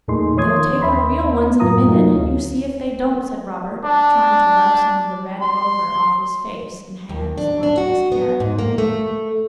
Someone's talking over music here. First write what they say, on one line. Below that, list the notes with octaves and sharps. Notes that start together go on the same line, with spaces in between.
'They'll take our real ones in a minute; you see if they don't,' said Robert, trying to rub some of the red ochre off his face and hands on to his hair.
E2 A#2 A3 D#4 G#4 C6
D#3 F3 C#5 C6 D#6 G#6
D#2 E5 B5 C6
F#2 A2 F#3 F4 A#5 D#6
C3 F#3 A3 A#3 D#4 F4
D2 C#4 E4
D4
C6
D#2
D4
D4
F#4
B3
G#2
A#3
A3